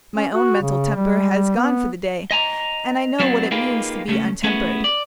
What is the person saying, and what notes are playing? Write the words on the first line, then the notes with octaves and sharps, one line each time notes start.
My own mental temper has gone for the day, and I know what it means to be untempered.
C#4
F#4
C#3
G3
B3
D#5 G#5 A#5
F#3 B3 C4 D4
A#3 D#4 F4 G4 G#4 B4
C#2 A3 A#3 C#4
A3 B3 C#4 E4 G#4
D5